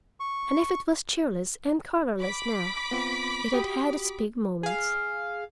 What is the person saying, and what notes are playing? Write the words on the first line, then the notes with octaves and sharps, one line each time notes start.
And if it was cheerless and colorless now, it had had its big moments.
C#6
B5 D6 B6
B3 C4 F4
F#4 G4 D#6
G#4 F5